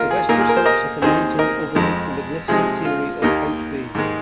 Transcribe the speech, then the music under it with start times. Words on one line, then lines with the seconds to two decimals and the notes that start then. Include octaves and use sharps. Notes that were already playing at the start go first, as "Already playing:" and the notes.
The western slopes of the mountain overlook the magnificent scenery of Hout Bay.
Already playing: D#2 F4 A#4
0.11 G#4
0.29 A#2 A#3 D#4 F4 A#4
0.41 G#4
0.49 A#4
0.57 C5
0.65 A#4 D#5
1.02 D#2 D#3 C4 D#4 G#4 C5
1.39 A#4 D#5
1.75 F2 F3 G#3
2.48 C3 F3 G#3 D#4 G#4
2.85 F4
3.22 D#2 D#3 A#3 D#4
3.95 G#2 D#3 G#3